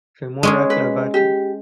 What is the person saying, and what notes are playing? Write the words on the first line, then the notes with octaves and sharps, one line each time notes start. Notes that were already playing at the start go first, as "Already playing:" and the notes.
Femora clavate.
G#3 C#4 G#4
B4
G4